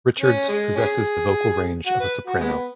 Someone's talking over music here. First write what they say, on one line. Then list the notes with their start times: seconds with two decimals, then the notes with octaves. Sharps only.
Richards possesses the vocal range of a soprano.
0.21 C#4
0.48 G#3
0.76 C#4 G#4
1.87 F#4
2.00 B4
2.27 F#4
2.41 G#3 B3